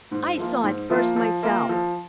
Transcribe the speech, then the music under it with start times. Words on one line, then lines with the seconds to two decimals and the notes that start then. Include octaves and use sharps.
I saw it first myself.
0.11 G#2
0.38 F3 A#3 F4
0.63 G#2
0.90 F3 A#3 F4
1.16 F3
1.43 A#3 F4 A#4
1.69 F3